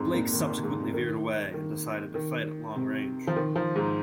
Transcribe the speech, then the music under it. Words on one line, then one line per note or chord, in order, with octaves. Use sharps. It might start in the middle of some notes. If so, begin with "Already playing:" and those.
Blake subsequently veered away and decided to fight at long range.
Already playing: F2 G#2
A#2
D#3
D#3
G#2
C3
D#3
D#3
D#3
C3
F3
D#3
F3
G#2